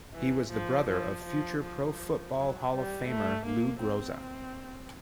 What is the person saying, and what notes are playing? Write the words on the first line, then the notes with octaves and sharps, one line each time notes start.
He was the brother of future Pro Football Hall-of-Famer Lou Groza.
E3
F3
F3
F3
F3
F#3
G3
A3
A#3
C4